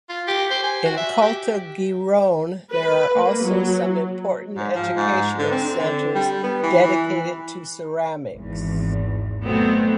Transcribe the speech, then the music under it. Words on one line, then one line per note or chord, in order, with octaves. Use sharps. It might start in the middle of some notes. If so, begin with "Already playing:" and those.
In Caltagirone there are also some important educational centers dedicated to ceramics.
F4
G4
C5
G#5
F#4
E5
G4
B4
A#3
F#3
G#2
F3
G#2
D3
C4
D3
G3
B3
E3
E3
G#1 E2
B2 F#3 A3 B3 C4